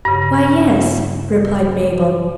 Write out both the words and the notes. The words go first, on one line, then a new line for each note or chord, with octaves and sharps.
"Why, yes," replied Mabel.
G2 C#3